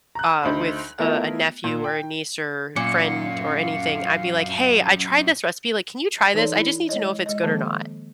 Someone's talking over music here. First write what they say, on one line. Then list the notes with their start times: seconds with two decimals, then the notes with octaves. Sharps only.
uh with, uh, a nephew or a niece, or friend, or anything, I'd be like, "Hey, I tried this recipe, like, can you try this? I just need to know if it's good or not."
0.15 A#5 F#6
0.43 D2 D#4 C5 B5
0.99 A3 B3 E4 F4 A#4 D#5
1.64 A#2
1.84 G5
2.76 F#2 A#2 F5 C#7
6.34 E3 D#4 A4 C#5 D5 C6
6.55 E4
6.89 G#3 C#5 D#5
7.26 G#3 D#5
7.44 D#3 F3 G#3 A#3